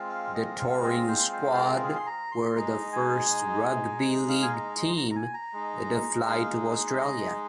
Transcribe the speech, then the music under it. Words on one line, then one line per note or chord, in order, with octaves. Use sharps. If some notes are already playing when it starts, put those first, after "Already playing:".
The touring squad were the first rugby league team to fly to Australia.
Already playing: G#3 C4 F4
F5
D#5
F5
D#5
C5
C5
C5
A#4
G#4
C6
A#5
C6
G#3 D#4 A#5
G#5
F5
G#5
A#5
C6
A#5
A#5
G#5
A#5
G#3 D#4
F5
D#5